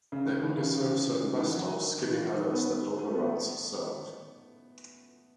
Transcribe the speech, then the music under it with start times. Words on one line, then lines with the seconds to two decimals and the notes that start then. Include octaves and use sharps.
They only serve certain bus stops, skipping others that local routes serve.
0.12 C#3
0.25 D#3
0.41 E3
0.57 C#3
1.22 D#3
1.38 E3
1.55 F#3
1.71 D#3
1.88 D#3
1.98 D#3
2.09 E3
2.20 D#3
2.36 D#3
2.53 B3
2.69 B3
3.07 A3
3.15 B3
3.24 A3